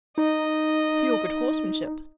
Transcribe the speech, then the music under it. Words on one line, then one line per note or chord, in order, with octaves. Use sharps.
"For your good horsemanship."
D#4 D#5